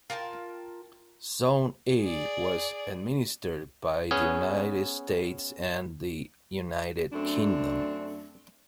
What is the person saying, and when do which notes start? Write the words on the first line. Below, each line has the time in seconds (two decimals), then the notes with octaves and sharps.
Zone A was administered by the United States and the United Kingdom.
0.10 F4 A#4 G5 A5
2.02 G#4 D5
4.11 B3 C#4 G#4
7.13 F#2 A3 C4 D4